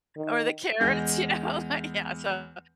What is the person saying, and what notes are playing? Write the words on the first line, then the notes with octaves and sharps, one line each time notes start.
or the carrots, you know, like, yeah, so
D#3
E2 G#3 G6